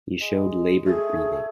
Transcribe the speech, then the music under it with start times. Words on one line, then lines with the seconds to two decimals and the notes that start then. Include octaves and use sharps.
He showed laboured breathing.
0.21 G#3
0.86 A3 G#4